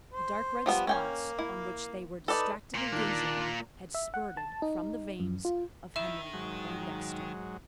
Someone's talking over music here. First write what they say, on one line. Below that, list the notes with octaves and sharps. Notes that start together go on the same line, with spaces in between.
The dark red spots on which they were distractedly gazing had spurted from the veins of Henry Poindexter.
C5
F3 G3 B3
A#3 C#4 G5 G#5
E4
D#4 A4 B4 D5
A#2 A#3
D#3 D4 F4
E5
F#5
A5
D#4
F#2
F4
D#3 E4 E5 B5 E7
G#2 F#3